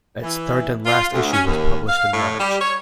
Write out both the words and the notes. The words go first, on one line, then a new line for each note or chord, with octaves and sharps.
Its third and last issue was published in March.
E3
F4
D2
C#4
D#2
F5
A2
G3
C#5